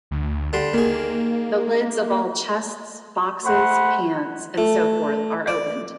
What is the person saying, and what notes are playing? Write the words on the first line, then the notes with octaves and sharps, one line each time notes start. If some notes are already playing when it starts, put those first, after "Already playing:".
The lids of all chests, boxes, pans, and so forth are opened.
D2
D3 G3 C6
D#3 A#3 G#4
A3 C5 F#5 B5
A3
D5